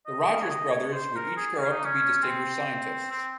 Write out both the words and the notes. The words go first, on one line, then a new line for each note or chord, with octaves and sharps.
The Rogers brothers would each grow up to be distinguished scientists.
D#5
C#5
D#5
C#5
C5
A#4
G#4
C#4
D#4
C#4
C4
C4